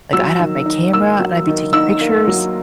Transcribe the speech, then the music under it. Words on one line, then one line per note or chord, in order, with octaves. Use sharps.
Like, I'd have my camera, and I'd be taking pictures,
F#3 E6
D#3
D#4
A#3 E6
F#3
D#3
D#4 E6
A#3
F#3